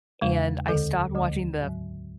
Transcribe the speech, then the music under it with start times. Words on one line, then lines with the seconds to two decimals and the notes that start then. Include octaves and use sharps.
and, I stopped watching the f
0.21 E2 C#3 G#3
0.68 D2 D3 G#3 A4
1.15 D2 D3 G#3
1.61 G#2 F#3